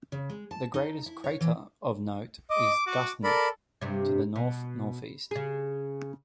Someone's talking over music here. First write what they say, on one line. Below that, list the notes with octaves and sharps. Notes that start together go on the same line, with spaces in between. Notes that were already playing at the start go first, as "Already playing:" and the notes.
The nearest crater of note is Guthnick to the north-northeast.
C#3
G#3
A5
D#4
E4
C#5
E3
D#5 D6
F#4 D6
A4 A#4 D5 B5
G2 C3
B2
C#3 G#4